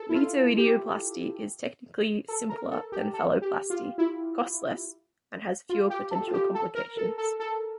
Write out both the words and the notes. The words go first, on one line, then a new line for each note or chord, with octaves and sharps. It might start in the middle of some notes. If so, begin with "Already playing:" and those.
Metoidioplasty is technically simpler than phalloplasty, costs less, and has fewer potential complications.
Already playing: A4
E4
F4
G4
A4
A#4
A4
G4
A4
G4
F4
E4
F4
G4
A4
F4
G4
A4
A#4
A4
A4
A4